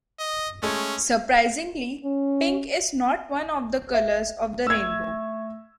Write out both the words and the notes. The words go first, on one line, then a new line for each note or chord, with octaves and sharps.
Surprisingly, pink is not one of the colours of the rainbow.
D#5
G#3 A3 C#4
C#4
E5
A3 E6 G#6